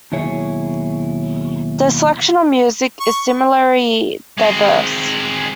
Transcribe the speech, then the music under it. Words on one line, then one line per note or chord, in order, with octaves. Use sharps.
The selection of music is similarly diverse.
D#2 B2 F#3 E4 G#4 C#5
C#6
G#3 C4